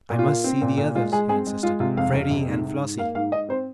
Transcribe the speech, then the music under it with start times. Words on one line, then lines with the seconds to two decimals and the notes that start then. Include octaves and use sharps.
"I must see the others," he insisted; "Freddie and Flossie."
0.10 A#2
0.19 F4
0.28 A#3
0.44 C4
0.62 A#2
0.78 A#2
0.95 G#3 F4
1.12 G#3 G#4
1.29 C4 G#4
1.47 G#3
1.63 G#3 F4
1.80 C3 F4
1.97 F2 F5
2.13 F2
2.31 C3
2.48 G#2
2.64 G#2
2.82 G#2
2.98 A#3 F5
3.15 G#2 F5
3.32 G#2 D#5
3.49 C4 C5